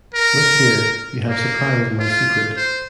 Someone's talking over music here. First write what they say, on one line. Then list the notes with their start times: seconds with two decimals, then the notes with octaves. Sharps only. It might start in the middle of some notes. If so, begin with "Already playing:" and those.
Look here, you have surprised my secret.
0.14 A#4
1.29 A#3
2.00 F4
2.57 C5